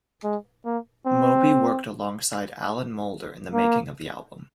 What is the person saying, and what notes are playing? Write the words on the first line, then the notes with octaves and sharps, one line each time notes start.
Moby worked alongside Alan Moulder in the making of the album.
G#3
A#3
C4
A#3